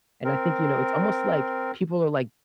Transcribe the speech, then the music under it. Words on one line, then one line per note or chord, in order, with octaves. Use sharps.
And I think, you know, it's almost like people are like
C4 A#4